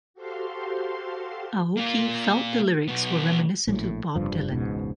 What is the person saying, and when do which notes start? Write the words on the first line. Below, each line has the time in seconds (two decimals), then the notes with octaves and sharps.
Aoki felt the lyrics were reminiscent of Bob Dylan.
0.14 F#4 G4 A4 C5 F5 C6
1.77 A#3 F4
2.88 B1 B3
3.67 A#1 A2
4.16 F1 G2 F3
4.51 E1 C#2 G#2 B2